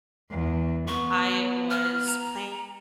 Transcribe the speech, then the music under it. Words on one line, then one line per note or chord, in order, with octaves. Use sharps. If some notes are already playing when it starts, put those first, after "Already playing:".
I was planning
E2
B3 C#6
F6
A#5